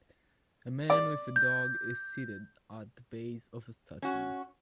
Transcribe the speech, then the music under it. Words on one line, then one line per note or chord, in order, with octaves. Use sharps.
A man with a dog is seated at the base of a statue.
D5
G6
C#4 F#4